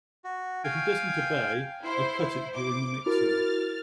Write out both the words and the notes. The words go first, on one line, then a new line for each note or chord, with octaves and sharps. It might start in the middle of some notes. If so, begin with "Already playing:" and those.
If he doesn't obey, I cut it during the mixing.
F#4
F5 G5 G#5
E4 C5
D6
E4 F#4 A#4 F6 A6